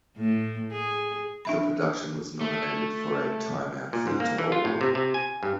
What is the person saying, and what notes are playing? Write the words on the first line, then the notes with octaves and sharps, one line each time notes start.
The production was nominated for a Time Out Theatre Award.
A2
G#4
D4 E5 B5
A3
A#2
G#2
A#3
E3
F4
A2
C3
C3
G#5
G2